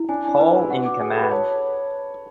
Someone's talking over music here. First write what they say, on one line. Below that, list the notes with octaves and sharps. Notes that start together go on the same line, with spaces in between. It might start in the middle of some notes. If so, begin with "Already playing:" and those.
Hall in command.
Already playing: E4
D4 G#5
D4 G#5
E4 B4
E4 B4
F#4 F#5
D6
G#4 F#5
A4
B5
B4
C#5 A5